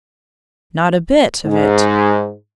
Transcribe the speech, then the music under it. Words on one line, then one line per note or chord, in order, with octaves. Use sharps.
'Not a bit of it.
G#2